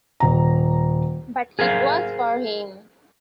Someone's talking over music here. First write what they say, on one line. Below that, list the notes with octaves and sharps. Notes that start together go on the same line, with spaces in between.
But it was for him.
D#1 A#5
G#4 A#4 C5 F5